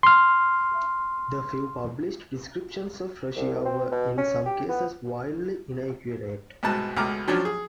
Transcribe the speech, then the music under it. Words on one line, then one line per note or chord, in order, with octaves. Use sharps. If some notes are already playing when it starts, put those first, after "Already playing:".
The few published descriptions of Russia were in some cases wildly inaccurate.
C6 F6
C2
C4
B2
C#4
G4
B3
C2 G#2 B2 A5 F#6
C#2 B2 A3 A#5 D6 F6
F3 F#3 C#4 D4
G#4